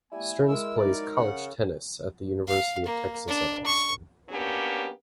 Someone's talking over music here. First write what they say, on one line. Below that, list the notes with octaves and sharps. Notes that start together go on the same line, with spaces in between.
Stearns plays college tennis at the University of Texas at Austin.
G3 A3 B3 E4 G#5
G#3 A#4 E6
F#3 G#3 D#4 D5
C#3 F#5
F5
A#3
D4
C#6
F#3 A#3 B3 C#4 D4 G4